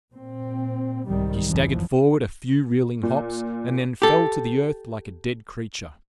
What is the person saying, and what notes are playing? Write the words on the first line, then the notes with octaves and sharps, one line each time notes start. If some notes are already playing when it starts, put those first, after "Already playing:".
She staggered forward a few reeling hops, and then fell to the earth like a dead creature.
A#2 C4
C2 G#2 C3 D#3 G3
G#1 F2 E3 F3
A#2
G4 A4